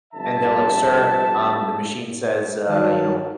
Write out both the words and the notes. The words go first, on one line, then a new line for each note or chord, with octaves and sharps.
and they're, like, "Sir, um, the machine says, uh, you know,
G1 F2 D3 E5 A5
D#3 F#3 A5